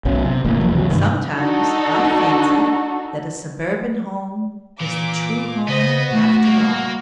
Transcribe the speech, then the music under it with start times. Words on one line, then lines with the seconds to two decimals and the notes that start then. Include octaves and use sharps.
Sometimes I fancy that a suburban home is the true home after all.
0.05 B1 B2 C#4
0.25 C3
0.45 E1 A1 A#3
0.60 F1 F3 G3 A#3
0.74 C#2 C3 E3 F#3
0.90 G2 C3 D#3
1.32 D4 D#4 F#4 A4
4.80 A#2 E3 D6
5.68 C#3 B3 C5 D#5
6.11 B2 A3 F#4
6.45 G3 A#3